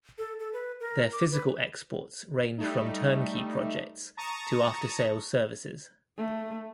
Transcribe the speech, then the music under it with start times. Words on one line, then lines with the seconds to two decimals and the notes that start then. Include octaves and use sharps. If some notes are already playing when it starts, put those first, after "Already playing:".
Their physical exports range from turnkey projects to after sales services.
0.18 A4
0.39 A4
0.53 B4
0.80 A#4
1.12 D6
1.31 B4
2.58 G3 A3 D#4
4.17 A5 A#5 C#6 D#6
6.17 A3